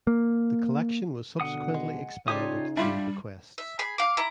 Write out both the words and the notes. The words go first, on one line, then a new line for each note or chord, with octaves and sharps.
The collection was subsequently expanded through bequests.
A#3
B2 D3 F#5 D#6
G#3
C#3 D#4 F4 G4 A4 C#5 D5 D#6
G3 D4 E4 F4 G4
E5
G#4 B5
F5 D6
E4 A#5